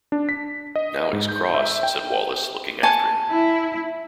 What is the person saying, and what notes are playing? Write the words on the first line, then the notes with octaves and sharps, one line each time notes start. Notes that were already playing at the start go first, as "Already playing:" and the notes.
"Now he's cross," said Wallace, looking after him.
D4
B6
D#5
G#2
G6
E5
G5
G#5 A5 C#6
E4